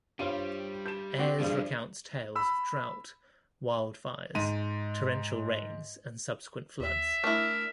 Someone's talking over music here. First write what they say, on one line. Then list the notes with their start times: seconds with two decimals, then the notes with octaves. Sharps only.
Ayres recounts tales of drought, wildfires, torrential rains, and subsequent floods.
0.19 G2 G3 F4 C5 C#5 D#7
0.86 G6 E7
1.18 C4 F#4 G4
1.40 G2 D3 F3 G3 G#4 C5 D5
2.35 B5 E6
4.35 G#2 D#7
6.80 D#2 E5
7.24 A3 D4 E4 A#4